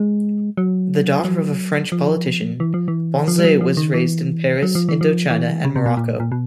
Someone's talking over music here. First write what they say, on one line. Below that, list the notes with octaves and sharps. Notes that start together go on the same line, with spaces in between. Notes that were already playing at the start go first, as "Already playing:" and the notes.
The daughter of a French politician, Banzet was raised in Paris, Indochina, and Morocco.
Already playing: G#3
F#3
F3
F#3
F3
E3
F3
E3
F3
G3
F#3
F3
D#3
E3
F#3
F3
E3
F3
E3
C#3
C3
B2
A#2
A#2
B2